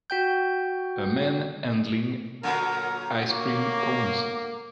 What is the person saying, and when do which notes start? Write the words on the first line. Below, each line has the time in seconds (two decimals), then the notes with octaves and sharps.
A man handling ice cream cones.
0.10 F#4 G5 G6
2.43 A#2 D3 F#3 A#4 A#5
3.30 A#3 C#5 D6